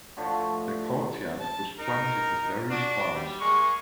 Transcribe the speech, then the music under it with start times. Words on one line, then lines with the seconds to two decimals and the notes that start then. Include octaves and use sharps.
The courtyard was planted with various flowers.
0.17 A2 D3 F3 A3
1.40 A5
1.79 D#4 A#4
2.70 D4 F#4
3.15 G3
3.41 G#3 A#3 C#6